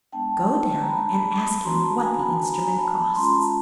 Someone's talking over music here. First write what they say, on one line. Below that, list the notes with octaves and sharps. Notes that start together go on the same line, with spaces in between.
Go down and ask him what the instrument costs.'
G#3 B3 D4 G5 A5
A#5
A5 B5
B3 D4 F#4 A#5 C6
A5 B5
G#5 A#5
A5 B5
G#5 A#5
A5 B5
G#3 C#4 F4 A#5 C6
A5 B5